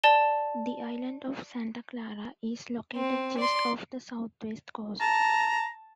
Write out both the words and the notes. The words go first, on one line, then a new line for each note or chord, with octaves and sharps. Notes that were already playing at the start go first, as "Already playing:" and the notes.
The island of Santa Clara is located just off the southwest coast.
D5 A5 G7
C4
D5 C6
A5 A#5